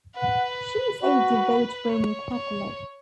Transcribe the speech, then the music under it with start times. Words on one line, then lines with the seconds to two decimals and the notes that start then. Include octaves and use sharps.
She is a devout Roman Catholic.
0.16 B4 F#5
1.03 F#4 B4
1.89 C#5
2.33 C#5